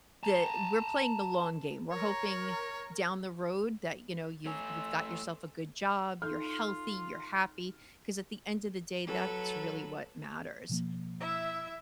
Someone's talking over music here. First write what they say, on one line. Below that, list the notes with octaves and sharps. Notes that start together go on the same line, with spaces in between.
the we're playing the long game. We're hoping down the road that, you know, you've you've got yourself a good job, you're healthy, you're happy. 'Cause at the end of the day, that's really what matters.
A5 A#5
A#4 C#5
A3 C#5 G#5 E6
D#4 F4 A4 F6 G6
F#3 A4 B4
B2 F3 A#3
E4 E5